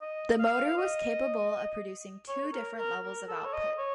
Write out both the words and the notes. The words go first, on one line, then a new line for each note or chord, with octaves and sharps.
The motor was capable of producing two different levels of output.
D#5
F5
F5
D#5
C#5
A#4
A#4
A#4
A4
C#5
D#5
C#5